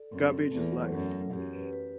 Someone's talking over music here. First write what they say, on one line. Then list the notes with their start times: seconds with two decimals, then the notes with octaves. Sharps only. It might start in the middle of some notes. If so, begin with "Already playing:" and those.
Garbage is life.
Already playing: A4 D5
0.12 F#2 C4
0.31 A4
0.51 E2 A3
0.72 F#3
0.92 F#2 F#3
1.12 F#3
1.32 F#2 G4
1.53 B4
1.73 B4